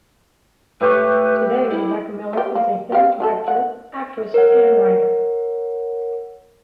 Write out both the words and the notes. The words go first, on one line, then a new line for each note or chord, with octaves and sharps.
Today Rebecca Miller is a film director, actress, and writer.
A2 G4 B4 C#6
E4
A3 G4
A#3
G4 F5
F#3 A3 A4
F#5
A#4 C#5 F#5